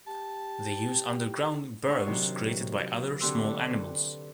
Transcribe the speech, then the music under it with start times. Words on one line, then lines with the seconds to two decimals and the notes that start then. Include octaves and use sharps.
They use underground burrows created by other small animals.
0.07 G4 A5
1.88 D4 C5 F#5 C#6
2.07 C3 D#3 F#3
3.21 D3 C4 G4 B4 C6 E6